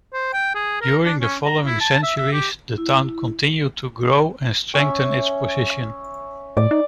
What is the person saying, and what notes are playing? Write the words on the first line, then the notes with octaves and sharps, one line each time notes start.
During the following centuries the town continued to grow and strengthened its position.
C5
G5
G#4
A#4
D4
C#4
A#5
E4
A5
E5
E5
G4
E4
C#4 E5
A2 D5
D#4